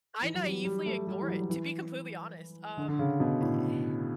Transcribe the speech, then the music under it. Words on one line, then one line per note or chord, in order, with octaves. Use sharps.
I naively ignore it, to be completely honest, um, eh, eh,
E3
F#3
G3
G3
A3
G3
E3
F#3
F#3
E3
D3
D3
C#3
B2
A2